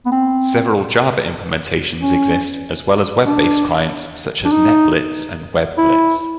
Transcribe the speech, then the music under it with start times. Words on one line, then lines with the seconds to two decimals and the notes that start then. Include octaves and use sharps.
Several Java implementations exist, as well as web-based clients, such as NetBlitz and WebBlitz.
0.06 B3
0.12 C4
2.01 C#4
3.26 D4
4.45 D4
4.52 D#4
5.78 E4